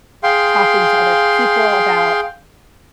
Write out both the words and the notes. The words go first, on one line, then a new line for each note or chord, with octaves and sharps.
talking to other people about
G#4 F5 G5 C6